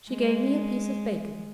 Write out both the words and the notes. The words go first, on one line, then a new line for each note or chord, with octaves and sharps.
'She gave me a piece of bacon.'
G#3